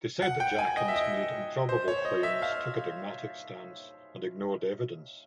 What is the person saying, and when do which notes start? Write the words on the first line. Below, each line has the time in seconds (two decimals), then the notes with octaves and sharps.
They said that Jackins made improbable claims, took a dogmatic stance and ignored evidence.
0.22 F#5
0.40 G5
0.59 G#5
0.77 D#5
0.88 E5
0.96 D#5
1.69 C5
1.88 C#5
2.05 D#5
2.23 E5
2.42 F5